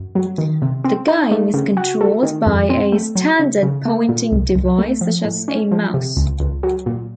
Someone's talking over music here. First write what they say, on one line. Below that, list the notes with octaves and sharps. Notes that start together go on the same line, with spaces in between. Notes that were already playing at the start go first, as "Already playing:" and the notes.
The game is controlled by a standard pointing device such as a mouse.
Already playing: F#2
F#3
D#3
C3
C4
D#4
A3
C#3
F#4
A3
D#3
F2
C4
A3
F#3
C#3
C#3
A3
A#2
C2
C2
A3
F3
A2
C#4
F3
C3
C#2
C#2
F#3
A#2